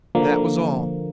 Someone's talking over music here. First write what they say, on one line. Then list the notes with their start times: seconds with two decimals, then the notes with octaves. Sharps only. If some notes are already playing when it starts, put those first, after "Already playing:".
That was all.
0.15 D3 F3 A#3